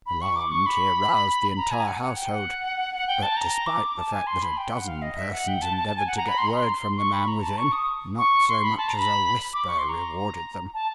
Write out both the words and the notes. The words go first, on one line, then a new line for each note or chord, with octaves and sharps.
Alarmed, he aroused the entire household; but despite the fact that a dozen persons endeavoured to get word from the man within, not so much as a whisper rewarded them.
B5
C#6
D6
C#6
B5
A#5
G#5
F#5
F#5
G5
F#5
F#5
G5
A5
A#5
D6
A5
G#5
C6
B5
G5
F#5
F5
D#5
E5
F#5
G5
A5
A5
A5
G#5
F#5
A#5
B5
C6
A#5
C6
C#6
B5
A#5
A5
C#6
D#6
C#6
C6
B5
A5
A#5
B5
D6
C#6
C6
A#5
A5